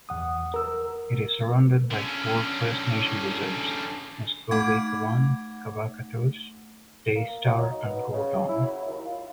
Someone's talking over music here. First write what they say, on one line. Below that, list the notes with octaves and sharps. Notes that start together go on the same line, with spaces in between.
It is surrounded by four First Nation reserves: Muskowekwan, Kawacatoose, Daystar and Gordon.
E2 F#5 D#6
A#4 E6
D3 C#4
A3 D#4 F#5 D6 G#6
A#3
F#3
D#4
B2
C#3
E4
F#3
D#2
F4